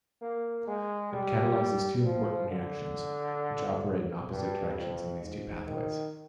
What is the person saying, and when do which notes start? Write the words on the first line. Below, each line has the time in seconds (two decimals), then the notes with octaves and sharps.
It catalyzes two important reactions, which operate in opposite directions in these two pathways.
0.22 A#3
0.67 G#3
1.13 G3
2.04 F3
2.49 D3
4.30 G2
4.76 F2
5.22 G#2
5.67 D#3